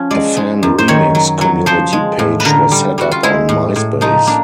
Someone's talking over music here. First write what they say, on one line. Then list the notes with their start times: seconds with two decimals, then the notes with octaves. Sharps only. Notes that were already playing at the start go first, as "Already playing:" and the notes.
A fan remix community page was set up on MySpace.
Already playing: F3 C#4
0.10 G#3 D5
0.37 G#3
0.63 F#2
0.78 C5
0.88 D#3 C#5
1.15 F#3
1.41 F#3
1.66 F3 C5
1.93 G#3
2.19 A2
2.40 B4
2.45 D3 A#4
2.71 G3
2.98 G3 F#4
3.11 F4
3.23 G#3 E4
3.49 A2
3.76 A2
4.01 F3 D#4
4.27 A#3 D4